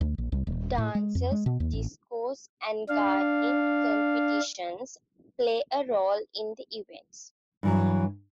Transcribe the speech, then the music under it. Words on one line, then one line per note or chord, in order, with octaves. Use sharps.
Dances, discos and gardening competitions play a role in the events.
D2
A#1
C2
D#1
A2
G#3
F2
G#3
B2
D#2
A1
D4 F5
G2 E3 F#3